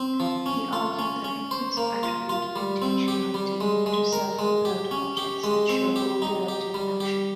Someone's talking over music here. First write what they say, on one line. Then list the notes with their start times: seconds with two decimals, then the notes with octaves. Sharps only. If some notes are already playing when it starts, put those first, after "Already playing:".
He argued that infants attribute intentionality to self-propelled objects that show goal-directed action.
Already playing: C4
0.20 F3
0.46 C#4
0.73 F4
0.99 C#4
1.24 C#4
1.51 C5
1.77 A#3
2.03 F4
2.29 F4
2.56 G3
2.82 C4
3.08 G4
3.34 G3
3.61 G#3
3.86 G#3
4.13 A#4
4.39 G#3
4.65 G4
4.91 C#4
5.17 G4
5.44 G#3
5.69 C4
5.96 G4
6.22 D#4
6.48 G4
6.74 G3
7.00 G4